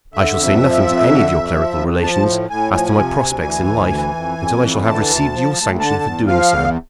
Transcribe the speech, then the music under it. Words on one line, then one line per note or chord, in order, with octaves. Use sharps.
I shall say nothing to any of your clerical relations as to my prospects in life until I shall have received your sanction for doing so.
D3 E5
F2
F3
F2
D3
F2
F3
F2
F3 A5
A2
A2 G#5
F3 G#5
C3
D2
E3
D2
E3
F2
F2
E3
D3 A5
D2
F3
D2
D3 A5
E2
F3 F5
E2